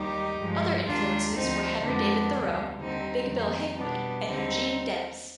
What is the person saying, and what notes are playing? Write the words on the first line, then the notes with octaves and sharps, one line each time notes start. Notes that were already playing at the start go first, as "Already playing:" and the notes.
Other influences were Henry David Thoreau, Big Bill Haywood and Eugene Debs.
Already playing: D#2 D#3 G3 D#4 G4
G2 F3 G#3
D#2 D#3 G#3 D4 F4
D2 D3 F3 C4 D#4
F2 D3 F3 G#3 B3 D4
D2 D3 G3
D#2 D3 G3 C4 D#4
F2 D#3 G3
B2 G3 B3 D4
D#2 D3 G3 C4 D#4